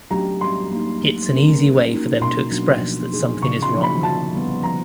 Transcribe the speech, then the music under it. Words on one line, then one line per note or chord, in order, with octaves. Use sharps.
It's an easy way for them to express that something is wrong.
F#3 A3 D4 G4 A#5
G3 C6
A#3 D#4
A3
C#4 F4 A#4
F3
A#3 D#4 F#4
B2 C6
F#3 B3 D4 F#4
F3
A#3 D#4 G#4
C#3 C#6
C6
F3 A#3 D#4
B5
D3 A5
G3 B3
F3 A#5